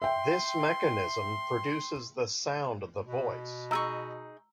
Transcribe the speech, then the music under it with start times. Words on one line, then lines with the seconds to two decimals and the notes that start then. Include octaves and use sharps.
This mechanism produces the sound of the voice.
0.02 E5 G5 C6
3.05 B2
3.71 D#4 G#4 A#5 C#6 E6